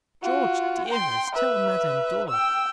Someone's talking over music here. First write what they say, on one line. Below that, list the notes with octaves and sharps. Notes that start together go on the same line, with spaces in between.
George, dearest, tell Madame Dor.
F4 F#4
G5 C6
B4 E5
G5 E6